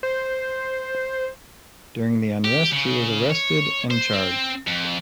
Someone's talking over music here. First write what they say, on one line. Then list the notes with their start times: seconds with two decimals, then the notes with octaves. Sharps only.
During the unrest he was arrested and charged.
0.03 C5
2.44 G4
2.73 C#3
3.31 C#5
3.91 C5
4.13 C4
4.67 F2